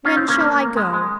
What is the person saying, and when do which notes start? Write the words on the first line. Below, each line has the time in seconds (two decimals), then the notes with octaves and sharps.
When shall I go?
0.05 C#4 F4
0.17 C4 D#4
0.28 A#3 C#4
0.41 A#3
0.76 G#3
0.93 G#3